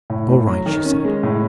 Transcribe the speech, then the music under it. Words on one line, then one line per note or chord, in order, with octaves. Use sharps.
"All right," she said.
A2
A2
F#3
D#3
C#4
G#3
A2